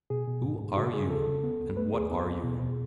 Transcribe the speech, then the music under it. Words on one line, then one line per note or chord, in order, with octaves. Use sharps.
Who are you? and what are you?
B2 G#4
B2
G#2
G#2
C#3 F#4
C#3 G#4
C#3 A4
C#3
B3
C#2
A3 B4
D#2 G#4
B3
C#2
B2
B2